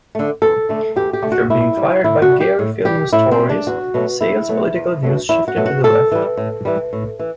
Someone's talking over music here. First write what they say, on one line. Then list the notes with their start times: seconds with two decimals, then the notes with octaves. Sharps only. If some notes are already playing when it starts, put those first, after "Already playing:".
After being fired by Gary Filmon's Tories, Sale's political views shifted to the left.
0.15 D3 A3
0.42 E2 A4
0.69 D3 A3
0.96 E2 G4
1.13 G4
1.23 D3 A3
1.32 F#4
1.50 A2 E4
1.77 G3
2.04 A2 E4
2.22 F#4
2.32 G3
2.40 G4
2.59 A2
2.85 G3 G4
3.13 A2 E4
3.31 C4
3.39 G3
3.50 D4
3.67 E2 F#4
3.94 B2 F#3 A3
4.21 E2 E4
4.49 B2 F#3 A3
4.75 E2
5.03 B2 F#3 A3
5.29 E2 E4
5.48 F#4
5.56 B2 F#3 A3
5.66 F#4
5.84 A2 A4
6.12 E3 G3
6.37 A2
6.65 E3 G3
6.93 A2
7.19 E3